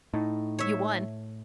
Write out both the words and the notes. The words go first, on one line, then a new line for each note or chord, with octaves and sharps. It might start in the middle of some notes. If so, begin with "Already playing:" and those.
You won.
A2 D#4
C#5 E5